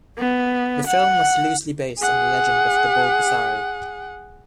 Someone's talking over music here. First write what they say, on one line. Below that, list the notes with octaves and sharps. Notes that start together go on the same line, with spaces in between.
The film was loosely based on the legend of the Bulgasari.
B3
F#5
G#4 F#5